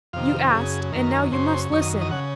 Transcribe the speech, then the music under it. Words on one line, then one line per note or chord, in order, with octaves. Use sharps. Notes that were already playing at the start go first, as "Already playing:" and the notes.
"You asked--and now you must listen."
F2 C3 D#3 F5
F#2 C#3 G#4
F#2 D#3 A#4
F#2 C#3 C5
F#2 D#3 C#5
D#5
D#5
C#3 F#5